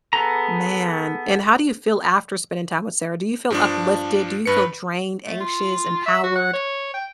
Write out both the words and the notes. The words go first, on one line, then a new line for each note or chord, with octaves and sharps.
Man. And, how do you feel after spending time with Sarah? Do you feel uplifted? Do you feel drained, anxious, empowered?
B3 G#4 A4 A#5
G2 F3 D4
G2 B4 C#7
A3
F4
E5
F#4
F#5
C#5
G5